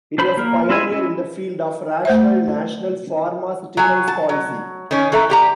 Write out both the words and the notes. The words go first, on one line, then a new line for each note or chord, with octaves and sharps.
It was a pioneer in the field of rational National pharmaceuticals policy.
D4 C5 B5
A#3 A#4
C4 E4 F4 E5 G#5
C#4 E4
A3 C5 E5
F#3 G#5
A5
F#3
D#3 C#4
E3 A4 E5 A#5
G3 G4 A#5